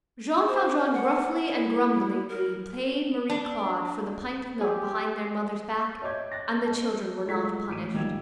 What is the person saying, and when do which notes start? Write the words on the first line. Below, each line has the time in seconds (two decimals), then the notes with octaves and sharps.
Jean Valjean gruffly and grumblingly paid Marie-Claude for the pint of milk behind their mother's back, and the children were not punished.
0.47 C5
0.93 F#5
1.46 E4
2.29 A#4
3.30 D4
4.61 G4 G#4
6.02 C#5 D#5 E5 D6 G6 G#6
6.32 F#6 A6 A#6
6.66 D#5 A5
7.26 G#3 A3 F4 C#6 G#6 B6
7.68 A1 D6 D7 D#7
7.94 A#1 D#3 G3 G5 E6 G#6